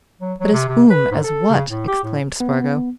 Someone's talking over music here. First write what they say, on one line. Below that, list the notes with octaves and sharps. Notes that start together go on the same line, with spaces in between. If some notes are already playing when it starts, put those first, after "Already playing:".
"But as whom--as what?" exclaimed Spargo.
F#3
F#3
C3
C3
B4
G#2
A4
C#3
A2
G4
A2
B3